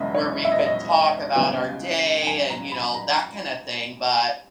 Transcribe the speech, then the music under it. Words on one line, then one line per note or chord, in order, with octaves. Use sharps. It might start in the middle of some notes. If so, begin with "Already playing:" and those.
where we could talk about our day and, you know, that kinda thing, but
Already playing: E1 E2 C#3 D#5 E5
C#5
E5
D#5
C#5
D#5
C#2 C#3 G3 B3 G5
G#5
G5
G5
G#5
A#5
B5
A#5